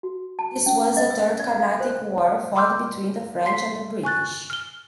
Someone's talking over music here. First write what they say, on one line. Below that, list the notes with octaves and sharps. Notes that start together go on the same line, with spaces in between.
This was the Third Carnatic War fought between the French and the British.
F#4
A5
C#4
D#5
E6
D5
F5
C5
B5 C6 D6 E6 F6 G6
C6 B6 C7
G#5 C#6 F#6 A6
F6 G7